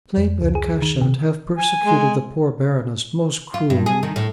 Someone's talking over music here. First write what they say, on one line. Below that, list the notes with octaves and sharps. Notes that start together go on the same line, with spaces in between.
Snape and Cashett have persecuted the poor Baroness most cruelly.
F2
C#2
G#4
D#3
C3
G#5
G#3
F4
G2
G#4
D#3
A2